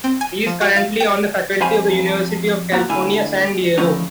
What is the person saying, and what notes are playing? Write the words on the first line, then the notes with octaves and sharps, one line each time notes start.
He is currently on the faculty of the University of California, San Diego.
C4
G#5
F3
F#4
F5
G5
F2 C5 F5 G#5 B5
A2 A#3 F#4 A#5
D3 A3 E4 F5 G#5
D3 E3 F3 A3 C#4 D#4